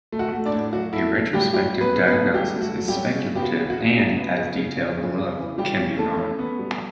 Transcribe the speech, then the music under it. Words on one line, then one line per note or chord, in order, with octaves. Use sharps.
A retrospective diagnosis is speculative and, as detailed below, can be wrong.
A3
F#4 F#5
A3
D4 D5
A2
F#3 F#4
A3 E4
F#3
A2 G3 G4
F#3 G3 G4
F#3
B3 B4
C#3
B3 B4
A3
F#3 G3 G4
A3
F#4
F#3
G3 G4
C#4
C#3
B3 G4
F#4
C#3
F#4
C#3
C#3
B3
C#3
C#3
C#4
C#3
C#3
E3
C#3 G3 G4
C#4
A3 A4
C#4
B3
G3